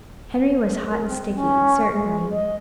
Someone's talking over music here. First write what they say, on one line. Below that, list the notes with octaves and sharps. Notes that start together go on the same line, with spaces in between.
Henry was hot and sticky, certainly.
A#4
C4
C#4
G#3
D#5